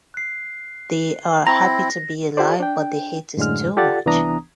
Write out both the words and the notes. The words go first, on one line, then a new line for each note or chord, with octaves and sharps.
They are happy to be alive, but the heat is too much.
F#6 C7
C4 E4 A#5 A#6
F4 G4 A4 C5 D5
D4 G5
F#2 A2 D3 G#3 F6
F4 G4 A4 D5 F#5 A6
C2 E3 B3 D4 A#5 D#6